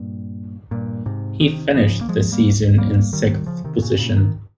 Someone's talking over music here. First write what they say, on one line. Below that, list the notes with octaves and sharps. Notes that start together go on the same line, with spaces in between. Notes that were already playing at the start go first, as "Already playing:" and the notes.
He finished the season in sixth position.
Already playing: G2 A#2
G2 A#2
G#2 C3
C3 D#3
C#3 F3
A#3
F3 G#3
G3 A#3
G3 A#3
D#3 G3
C#3 F3
C3 D#3
D#3
A#2 C#3
A#2 C#3
C3 D#3